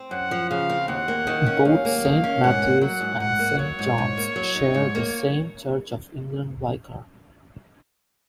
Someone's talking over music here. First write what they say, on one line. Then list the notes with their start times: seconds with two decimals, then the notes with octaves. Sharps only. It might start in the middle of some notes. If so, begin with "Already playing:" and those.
Both Saint Matthew's and Saint John's share the same Church of England vicar.
Already playing: C4
0.11 F#2 F#5
0.31 F3
0.50 C#3 F5
0.69 C4
0.88 D#2 F#5
1.08 A#3
1.27 D#3
1.46 C#4
1.65 D#2 F5
1.85 A#3
2.05 D#3
2.24 C#4
2.43 G#2 F#5
2.62 A#3
2.81 F#3 F#5
3.01 G#2
3.20 G#2 F#5
3.39 A#3
3.59 F#3 C#5
3.79 G#2
3.98 G#2
4.17 A#3
4.36 F#3
4.55 D#4
4.75 G#2
4.95 A#3